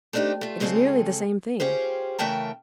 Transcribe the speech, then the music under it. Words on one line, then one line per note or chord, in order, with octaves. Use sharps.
It is nearly the same thing.
A3 C4 D4 D#4 G4
A3 F4
C#3 G#3 C4 F4 G#4 A4
C#4 F4 G4 G#4 C5
C#3 E3 A3 A#4 G5 A5